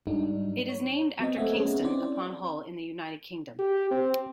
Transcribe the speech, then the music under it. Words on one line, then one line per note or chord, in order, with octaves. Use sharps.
It is named after Kingston upon Hull in the United Kingdom.
G#2 F#3 G3 D4 D#4
C#5
F#3 B3 C4 D#5
A3 C4 D#5 E5 F#5 G#5
B3 C#4 G#4
C4 C#4 E4 C5 D5
G4
C4